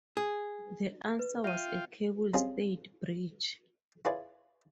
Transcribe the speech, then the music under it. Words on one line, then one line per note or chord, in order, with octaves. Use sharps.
The answer was a cable-stayed bridge.
G#4
B4
F4 E5 F5 G5 D#7
G3 G#3 C4 C#4 F4 G#4
E4 F4 G#4 B4 C#5 D5